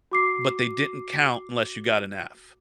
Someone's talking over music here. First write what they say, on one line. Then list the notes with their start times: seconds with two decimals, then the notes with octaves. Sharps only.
but they didn't count unless you got an F.
0.11 F#4 D6 C7